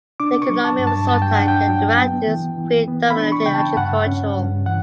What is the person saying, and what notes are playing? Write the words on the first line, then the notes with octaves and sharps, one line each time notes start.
The economy of Sultan Kudarat is predominantly agricultural.
D4 D6
C#6
F#3
A5
G2
A5
G2 A5
G5
D4 F#5
G5
F#3
B3
E3
E3
B3
B5
D4
C#6
C#3 G5
A5
G2 F#5
C#4
G2
E3 F#5